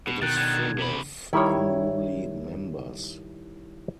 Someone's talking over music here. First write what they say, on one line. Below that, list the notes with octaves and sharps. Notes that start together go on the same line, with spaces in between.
It is full of unruly members.
B2
B2 D#3 F#6 G6 A6
D3 D#3 G#6
C3 B5
D#3 G3 E4 C#5